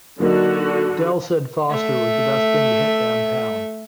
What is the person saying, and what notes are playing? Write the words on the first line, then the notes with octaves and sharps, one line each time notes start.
Dell said Foster was the best thing to hit downtown.
D3 F#3 A#3 D#4 F#4
A3 E5